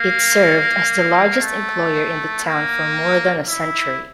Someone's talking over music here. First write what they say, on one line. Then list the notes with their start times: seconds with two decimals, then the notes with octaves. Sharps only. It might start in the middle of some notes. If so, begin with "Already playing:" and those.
It served as the largest employer in the town for more than a century.
Already playing: A#3
1.40 A3
2.44 A#3
3.48 E4